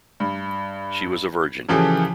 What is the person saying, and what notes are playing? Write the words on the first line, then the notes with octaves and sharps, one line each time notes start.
She was a virgin.
G2
C#3 E3 F3 G4 A4